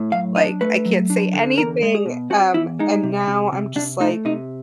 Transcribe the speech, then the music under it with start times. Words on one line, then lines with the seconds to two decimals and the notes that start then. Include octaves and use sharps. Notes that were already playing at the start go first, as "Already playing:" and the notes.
Like, "I can't say anything." Um, and now I'm just like,
Already playing: A2
0.12 F#3 F5
0.36 D4 D#5
0.61 A3 B4
0.85 F#3
1.10 D4
1.34 D3
1.58 E2 A#4
1.82 G#3
1.95 G#4
2.06 B2
2.30 C4 F#4
2.54 E2 E4
2.79 G#3 D#4
3.03 C3
3.28 C3
3.52 C3
3.76 C3 D4
4.00 A3 D#4
4.25 C3 D#4